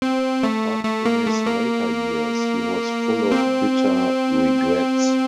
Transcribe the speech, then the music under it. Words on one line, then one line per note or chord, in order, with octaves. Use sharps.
But in his later years he was full of bitter regrets.
C4
A3
A3
A#3
A3
A#3
C4